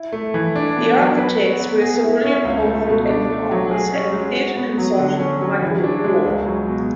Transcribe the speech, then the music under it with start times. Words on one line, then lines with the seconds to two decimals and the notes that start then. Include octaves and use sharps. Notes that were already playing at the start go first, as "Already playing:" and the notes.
The architects were Sir William Holford and Partners and the theatre consultant Michael Warre.
Already playing: E4
0.13 A3
0.34 E3
0.56 D4
0.77 B3
0.97 F#3
1.18 B4
1.40 F#4
1.60 B3
1.82 G#4
2.03 E4
2.23 C#4
2.45 C#2
2.66 A3
2.87 B2
3.09 D4
3.30 A3
3.51 F#3
3.71 G#4
3.93 C#4
4.14 G#3
4.36 F#4
4.57 B3
4.78 F#3
4.99 D3
5.19 C#4
5.41 F#3
5.62 E3
5.83 D4
6.04 G#3
6.26 C#2
6.46 F#3
6.68 B2